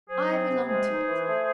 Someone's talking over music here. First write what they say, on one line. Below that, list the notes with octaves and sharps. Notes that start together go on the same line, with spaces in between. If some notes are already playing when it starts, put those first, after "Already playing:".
I belong to it.
F#3 G#4 C5
C4
C3
G#3 G#4 C5
D#4
E3
A3